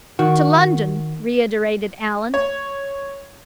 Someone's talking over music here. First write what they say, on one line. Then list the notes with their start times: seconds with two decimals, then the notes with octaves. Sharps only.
"To London!" reiterated Allan.
0.19 D#3 F#4
2.34 C#5